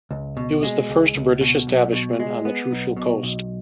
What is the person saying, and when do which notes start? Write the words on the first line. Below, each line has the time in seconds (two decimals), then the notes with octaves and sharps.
It was the first British establishment on the Trucial Coast.
0.11 C#2
0.37 B2
0.63 G#3
0.89 C#2
1.15 C#2
1.41 B2
1.67 B1
1.93 B2
2.20 G#3
2.45 B3
2.71 B1
2.97 B2
3.23 B1